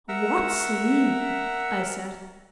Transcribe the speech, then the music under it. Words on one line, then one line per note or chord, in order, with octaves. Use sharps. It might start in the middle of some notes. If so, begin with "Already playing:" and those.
"What sleep!" I said.
A#4 E5 F#5